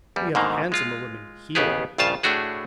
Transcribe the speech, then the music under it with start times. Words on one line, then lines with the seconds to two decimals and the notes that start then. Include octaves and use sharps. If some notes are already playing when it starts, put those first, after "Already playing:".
"We have handsomer women here."
0.16 E2 G3
0.35 G#2 B2 D3 D#3 A#3
0.72 G#3 F4
1.55 A1 D#2 C#3 B3 G4 G#4
1.98 A#1 G2 C#3 F4 F5 A5
2.23 A2 A3 D4 F#4 G#4